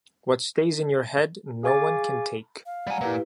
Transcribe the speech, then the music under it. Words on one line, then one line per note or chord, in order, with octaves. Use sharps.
What stays in your head no one can take.
G#4 F5 G#5 C#6 D6 A6
F5
G3 F#5 G#5 A#5
A#2 E4 G4 B4